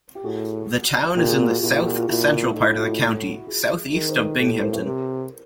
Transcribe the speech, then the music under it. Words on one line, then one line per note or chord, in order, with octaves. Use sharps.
The town is in the south-central part of the county, southeast of Binghamton.
G4
A2 F#4 G#4
A#2 F4 G4
F#4 G#4
F#4 G#4
F4 G4
A#2 E4 F#4
F4 G4
F#4 G#4
F4 G4
A#2 E4 F#4
A2 D#4
E4
F4
E4 F#4
F#4 G#4
D#3 G#4 A#4
C5
A4 B4
A2 G4 A4
A#4 C5
B4 C#5
C3 A#4 C5